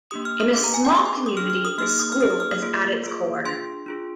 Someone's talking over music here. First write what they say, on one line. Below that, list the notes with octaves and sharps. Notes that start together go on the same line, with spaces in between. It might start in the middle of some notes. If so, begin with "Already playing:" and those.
In a small community, the school is at its core.
A#3 D4 G4 D#6
F6
D#6
A#3 D4 G4 D6
A#5
G#5
G5
D4 G#4 D6
C6
D6
D#6
D4 G#4 F6
F6
D#6
A#3 D#4 G#4 F6
D#6
F6
A#3 D#4 G#4 D#6
D#6
F6
D#6
A#3 F4 G#4
A#3 F4 G#4
D4 F4 G#4 C6
D4 F4 G#4